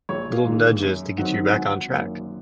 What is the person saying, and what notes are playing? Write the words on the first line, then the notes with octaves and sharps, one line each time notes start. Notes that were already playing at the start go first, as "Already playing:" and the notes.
little nudges to get you back on track.
A#1 C#5
F5
G#2 D#3 A#3
F#2
D#3 F#3 C4 D#4 F#5
G#5
G#1 F#5
F#2 D#3 A#3